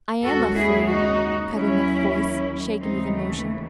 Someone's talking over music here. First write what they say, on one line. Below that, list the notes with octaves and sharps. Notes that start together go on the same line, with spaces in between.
"I am afraid," cut in a voice shaken with emotion.
D#2 C#3 G#3 F#4 A4
E4 G#4
D#4 F#4
D#2 D#3 F#3 C#4 E4
D#2 C#3 E3 G#3 C4 D#4
A3